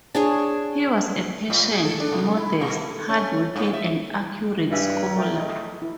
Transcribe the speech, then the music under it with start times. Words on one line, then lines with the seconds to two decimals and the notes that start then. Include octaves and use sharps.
He was a patient, modest, hard-working and accurate scholar.
0.15 D4 G#4 C#5
1.50 A2
1.71 G#4
1.85 A4
2.00 D4
2.12 C3
2.37 E4
2.61 B2
2.78 A3
3.09 C#4
3.56 G2
3.73 E5
4.71 G2 D#5 E5 G#5
5.16 A3 A#4 D5 G5
5.38 D#5
5.82 E4